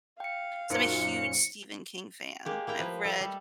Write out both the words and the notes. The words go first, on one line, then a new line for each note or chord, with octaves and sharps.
so, I'm a huge Stephen King fan, I've read
F5 G5 C#7
F#2 A#2 D#4 C5 C#7
G#3 A#3 G4
A#3 E4 G5 A#5
F3 B4
A4 D#5 E5
G3